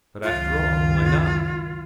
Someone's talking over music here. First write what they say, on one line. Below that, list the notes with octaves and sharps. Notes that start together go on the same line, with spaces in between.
But, after all, why not?
C#2 F#2 D#3 F4